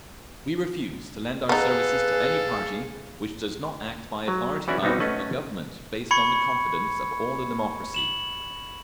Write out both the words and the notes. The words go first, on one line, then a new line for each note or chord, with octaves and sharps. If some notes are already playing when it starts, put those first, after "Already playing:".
We refuse to lend our services to any party which does not act by authority of ... a Government based on the confidence of all the democracy....
B3 D#4 G#4 A4 B4 F5
F#3
E3 C#4 F#4 D5 E5
G3 B3 C4 D#4 F#4
A3 C#4 A4 B4 D#5 F#5
B5 C#6 G#6 C#7
E7 F#7